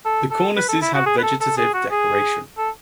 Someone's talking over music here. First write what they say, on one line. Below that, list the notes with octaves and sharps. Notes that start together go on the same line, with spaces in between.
The cornices has vegetative decoration.
A4
A4
B4
A4
E4
F#4
G#4
B4
A4
A4
G#4
F#4
G#4
A4